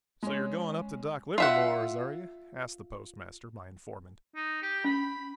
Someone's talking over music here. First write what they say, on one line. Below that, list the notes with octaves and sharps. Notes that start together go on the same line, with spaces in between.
"So you're going up to Doc Livermore's, are you?" asked the Postmaster, my informant.
G#3 C#4
F4 E5 F#5
D#4
G4
C#4 B5